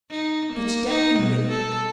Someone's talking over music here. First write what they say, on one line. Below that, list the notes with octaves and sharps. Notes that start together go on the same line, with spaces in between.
Such depth and width!
D#4
A#3
D#4
B2
A4